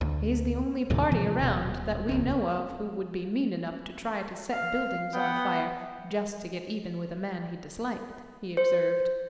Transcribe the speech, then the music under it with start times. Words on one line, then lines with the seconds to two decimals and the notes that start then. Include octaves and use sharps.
"He's the only party around that we know of who would be mean enough to try to set buildings on fire, just to get even with a man he disliked," he observed.
0.01 D2
0.90 D2 A2 C3 D#3
1.12 C3 E3 F3
1.39 D#1 B2
2.09 D#1 C#2 C4
4.51 F5
5.14 B3 F#5 G5
8.57 C5